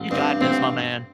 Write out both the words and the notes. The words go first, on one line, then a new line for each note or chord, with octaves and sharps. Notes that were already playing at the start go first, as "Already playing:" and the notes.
You got this, my man.
Already playing: A1
G2 C4
A1 C4